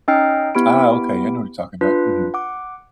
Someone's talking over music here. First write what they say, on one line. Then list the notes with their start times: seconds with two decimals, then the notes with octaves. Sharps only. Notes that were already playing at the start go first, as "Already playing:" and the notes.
Ah, okay, I know what you're talking about. Mhm.
0.08 C#4 D#4 D#5 G5 F6 C7
0.55 B3 E4 G4 B5 D7
1.81 D4 F4 B4
2.34 F#5 D6